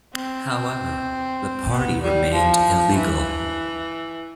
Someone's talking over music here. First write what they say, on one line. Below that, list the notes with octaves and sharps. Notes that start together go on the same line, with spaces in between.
However, the party remained illegal.
C4
B3
G3
F3
E3